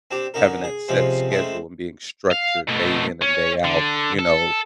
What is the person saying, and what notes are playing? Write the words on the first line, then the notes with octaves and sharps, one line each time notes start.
Having that set schedule and being structured day in and day out, you know,
C4 D4 G4
D3 C#4 D#4 A#4
G#4
C3 F3 G#3 C4 C#4
G#3 A3 C4 C#4 E4
F5
B2 A3
C#4
D3
A4